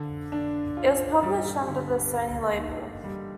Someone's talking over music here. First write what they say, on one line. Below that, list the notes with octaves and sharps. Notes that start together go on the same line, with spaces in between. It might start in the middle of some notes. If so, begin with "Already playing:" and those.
It was published under the Sony label.
Already playing: D3
D4
F4
G3
D3
A#3
D#4
G3